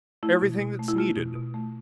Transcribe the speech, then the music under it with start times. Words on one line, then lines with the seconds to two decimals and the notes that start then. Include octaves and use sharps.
Everything that's needed.
0.23 A3 E4
0.41 B2
0.61 B2
0.79 A3
0.88 E4
0.98 A3 F4
1.16 B2
1.36 B2
1.54 A3